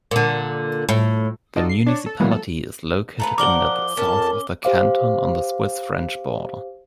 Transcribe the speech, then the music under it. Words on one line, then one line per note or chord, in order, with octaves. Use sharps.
The municipality is located in the south of the Canton, on the Swiss-French border.
A#2 D3
A2
D#4 F4 F#4 A4 D5 D#5
C7
D4 C#5
A4
D#3 E3 F#3 G#3 A#3 B3
A4
A3 F4 B4 A#5
F3 A#4 D5 F#5 D6 G7
F2 C#4 A#4 A5
G4 C5 F5 D6